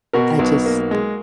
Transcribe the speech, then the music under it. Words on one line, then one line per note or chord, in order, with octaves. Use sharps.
I just
B2 F#4 A#4
B1
A#3
G#3